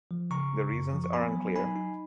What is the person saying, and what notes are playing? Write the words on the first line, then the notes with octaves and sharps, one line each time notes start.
The reasons are unclear.
F3
C#3 A#5 C#6
C#3
F#2
F3
C#6
B3 G#5 B5
F#3
D#4 G#5 B5
D#4